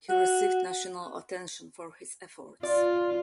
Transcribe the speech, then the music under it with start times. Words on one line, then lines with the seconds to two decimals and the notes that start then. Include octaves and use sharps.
He received national attention for his efforts.
0.09 F#4
2.63 F4 D5